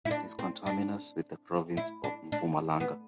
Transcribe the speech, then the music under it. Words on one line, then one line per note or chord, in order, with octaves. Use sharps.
It is conterminous with the province of Mpumalanga.
E4
D4
C4
D4
E4
D4
D4
B3